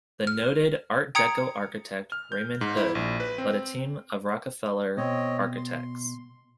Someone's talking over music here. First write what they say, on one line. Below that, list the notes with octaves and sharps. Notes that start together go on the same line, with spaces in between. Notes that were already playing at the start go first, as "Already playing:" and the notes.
The noted Art Deco architect Raymond Hood led a team of Rockefeller architects.
F6
G5 A#5 D#6 G#6 C#7
F6
G6
G#2
E4
A#1
B4
C4
B2 C4 C#5 D#5
C6